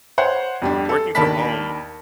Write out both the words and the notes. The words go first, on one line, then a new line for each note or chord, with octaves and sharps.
working from home
C5 C#5 F#5
F2 G3 D4
A4
D#2 D4 A#4 A5 B5 B6